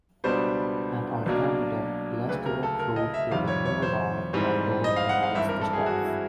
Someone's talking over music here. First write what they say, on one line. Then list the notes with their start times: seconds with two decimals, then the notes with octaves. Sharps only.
An alternative, less direct route to the "mirador" by road avoids the steps.
0.24 C#2 B2 G3 B3 D4 C5
1.26 B1 B2 F#3 A#3 D4
2.28 D2 C#3 F#3 A3 B4
2.46 A#4
2.63 A4
2.79 A#4
2.96 D#5
3.14 E5
3.31 F2 C3 D#3 G3 F5
3.48 C#5
3.65 C#5
3.82 C5
4.33 G#2 E3 G3 C4
4.84 D#5
4.96 F5
5.09 F#5
5.23 F5
5.35 G#1 G2 E3 G3 C4 E5
5.48 A#4
5.61 A4
5.73 G#4
5.86 F#4
6.03 E4